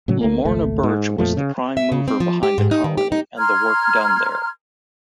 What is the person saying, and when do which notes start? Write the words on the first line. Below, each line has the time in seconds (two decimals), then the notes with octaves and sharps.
Lamorna Birch was the prime mover behind the colony and the work done there.
0.08 A2 C#3 F#3
0.21 D2 A3 A#3
0.45 G#1 C#2 A3
0.83 G#2
1.18 F2 A#2 F3 A3
1.37 C#3
1.77 E5
1.92 C#3
2.08 C4
2.20 F3
2.43 G4
2.58 G#2
2.71 D#4
2.84 D#3
2.98 G4
3.12 D#4
3.38 A#5 C6 F6 G#6